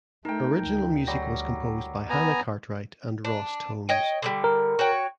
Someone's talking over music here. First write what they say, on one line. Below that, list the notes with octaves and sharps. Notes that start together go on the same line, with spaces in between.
Original music was composed by Hannah Cartwright and Ross Tones.
A3 D#4 A#4 G5
D2
F#3 G3 A#6
B3 G#5 A#5
D4
C#5 D#5 G5
D3 D#3 G3
A#4
F#4 C#5 G5